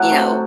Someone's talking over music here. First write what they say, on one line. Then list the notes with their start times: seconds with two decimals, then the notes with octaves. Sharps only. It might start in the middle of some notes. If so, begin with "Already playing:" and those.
you know,
Already playing: A2 F#3 F#5
0.12 C3